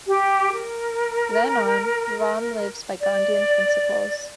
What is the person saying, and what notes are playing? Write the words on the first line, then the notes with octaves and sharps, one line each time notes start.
Then on, Ram lives by Gandhian principles.
G4
A#4
D5